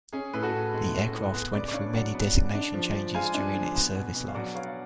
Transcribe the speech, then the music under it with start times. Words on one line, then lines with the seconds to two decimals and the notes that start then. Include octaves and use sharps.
The aircraft went through many designation changes during its service life.
0.13 C#4 G#4
0.33 A2 B4
0.42 F#4 A4
0.53 A2
0.74 G#3
0.94 C#4
1.13 A2
1.34 B3 G#4 B4
1.53 C#3 B4 D5
1.68 D5
1.73 D4 C#5 F5
1.93 F#3 D5 F#5
2.14 B3
2.34 C#3
2.55 D4
2.74 F3
2.94 F3
3.14 G#3 F5 G#5
3.34 D4
3.54 F3
3.75 B3
3.95 B2
4.15 B2
4.28 F5
4.35 F#3 D5 F#5
4.55 B3 C#5 F5
4.67 F5